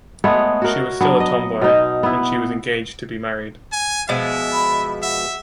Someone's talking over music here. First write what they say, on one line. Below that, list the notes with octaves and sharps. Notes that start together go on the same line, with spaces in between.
She was still a tomboy; and she was engaged to be married.
G#3 A3 B3 C#5
F#4 A#4
F#3 B3 D4
D#5
B2 D#4
B3 E4
G#5
B2 F3 G#3 E5
B5
E5 F#5